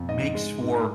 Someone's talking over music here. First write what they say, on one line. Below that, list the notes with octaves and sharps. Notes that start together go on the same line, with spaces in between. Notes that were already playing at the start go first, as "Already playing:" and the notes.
makes for
Already playing: F2
G#2 D#5
G#3
G#2